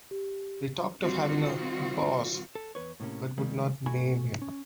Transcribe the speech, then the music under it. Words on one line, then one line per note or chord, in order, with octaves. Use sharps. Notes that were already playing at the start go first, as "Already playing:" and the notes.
They talked of having a "boss" but would not name him.
G4
D#3 G3 C4 F4 F#4
A4
E2 B4 C#5
A2 C3 A#3 C#4
D#3 G3 G#3 A#3
A#2 A3 F#4 G#5 B5
C#4